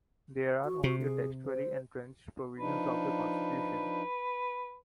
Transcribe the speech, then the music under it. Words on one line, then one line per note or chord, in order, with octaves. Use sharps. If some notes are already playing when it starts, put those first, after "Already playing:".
These are the only textually entrenched provisions of the Constitution.
F#4
C3 F#4
G#4
C5
F3 D4 D#4 B4